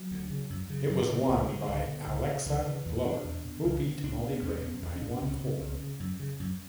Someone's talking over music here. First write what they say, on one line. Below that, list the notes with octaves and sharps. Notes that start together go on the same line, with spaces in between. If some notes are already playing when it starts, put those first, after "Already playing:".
It was won by Alexa Glover who beat Molly Graham by one hole.
Already playing: F#3
D2
C#3
F#2
C#3
F#2 G3
F#3
C#3 E3
D3
C#2 E3
E3
B2 D3
C#2
B2
C#2
C#3
C#2 E3
C#3
E2 E3
B2 D4
E2
B2
C#2
B2
C#2 D4
D4
B2
B3
E2 C#4
B2
E2
C#4
B2 D4
C#2 C#4
C#3
C#2
C#3
F#2
C#3
F#2